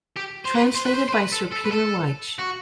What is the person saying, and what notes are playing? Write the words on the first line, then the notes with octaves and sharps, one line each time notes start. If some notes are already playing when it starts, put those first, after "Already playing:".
Translated by Sir Peter Wyche.
G4
C5
B4
C5
B4
C5
C5
B4
A4
A4
B4
A4
F#4